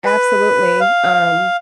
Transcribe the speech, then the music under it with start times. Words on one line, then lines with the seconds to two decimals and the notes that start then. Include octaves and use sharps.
Absolutely. Um,
0.05 B4
0.80 F5